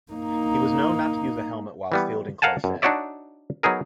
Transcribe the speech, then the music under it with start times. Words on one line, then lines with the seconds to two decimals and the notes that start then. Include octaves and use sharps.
He was known not to use a helmet while fielding close in.
0.13 A#3 D#4
1.92 E3 G3 B3
2.42 A#4 F5 F#5 G#5 A5
2.64 F#2
2.82 D4 D#4 F#4 C#5 D5 E5
3.63 F#3 B3 D#4 G#4 A#4